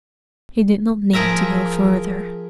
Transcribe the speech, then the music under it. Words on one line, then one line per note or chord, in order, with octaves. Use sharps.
He did not need to go further.
F3 G#4 A#4 E5 A#5